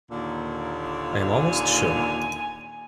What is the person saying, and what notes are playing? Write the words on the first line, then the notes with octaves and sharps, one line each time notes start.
I am almost sure.
D#2 A#2 D3
G#5